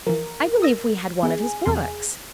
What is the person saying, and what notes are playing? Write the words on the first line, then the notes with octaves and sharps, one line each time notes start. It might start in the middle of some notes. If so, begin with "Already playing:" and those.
I believe we had one of his books.
E3 F3 A#4
D#6 E6 A#6
B3 E4 G#4 G#5
E2 C3 C6